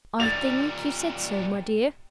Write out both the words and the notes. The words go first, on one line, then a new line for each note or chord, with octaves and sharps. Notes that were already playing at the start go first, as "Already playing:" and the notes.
"I think you said so, my dear."
A#2 G3 A6 F7